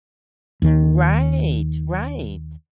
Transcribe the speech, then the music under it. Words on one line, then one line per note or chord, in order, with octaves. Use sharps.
Right, right.
D#2 D#3